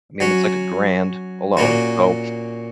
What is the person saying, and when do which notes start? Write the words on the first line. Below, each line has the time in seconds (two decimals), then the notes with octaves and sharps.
I mean, it's like a grand alone. So
0.20 F#3 C#4 F#4
1.57 A#2 A#3 C#4 F#4